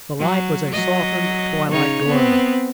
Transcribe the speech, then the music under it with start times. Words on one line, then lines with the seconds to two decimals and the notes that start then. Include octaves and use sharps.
The light was a softened twilight glow.
0.19 F#3
0.72 F#3 D#5
1.71 C#3 D#4 C#5
2.06 B3 C4